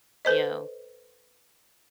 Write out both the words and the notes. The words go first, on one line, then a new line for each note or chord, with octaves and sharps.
you know?
A4 B4 C5 D#5